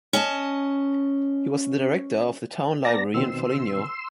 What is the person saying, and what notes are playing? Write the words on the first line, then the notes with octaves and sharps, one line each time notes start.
He was the director of the Town Library in Foligno.
C#4 D#5 A5
B3 D5 A5 A#5 A#6
B2 D#3 C4 C6 E6